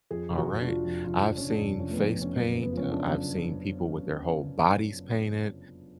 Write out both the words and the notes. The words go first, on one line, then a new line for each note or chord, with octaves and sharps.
alright? I've seen face paint, uh, I've seen people with their whole bodies painted.
F2 G#4
F1
F#4
F1
D4
F3 F4
F2
F1 F4
F2 D4
F1 C#4
D4
F1
F3 C#4
A3
B3
F2
F1 C#4
F#2 B3
B3
F#1
B3
F3 C#4
C#3 D4
F#2